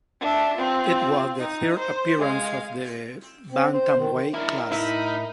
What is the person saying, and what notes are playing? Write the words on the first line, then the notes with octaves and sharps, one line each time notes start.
It was the third appearance of the bantamweight class.
D4 E5
C4 F4
D#4
C5
G#3 F5
C4
C5
D#3
D4 E4 A#4
A2 D#4 E4 B5